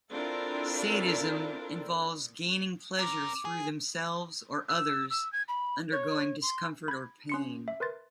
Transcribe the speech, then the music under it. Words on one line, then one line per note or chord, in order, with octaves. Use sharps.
Sadism involves gaining pleasure through themselves or others undergoing discomfort or pain.
C4 D4 E4 F4 A4 A#4
C#4 A#4 D6
G#4
E6
E6
G#6
B5
C#5
C6
B5 G#6
C#4 C6 C#7
E5
A#4 B4 C6 A6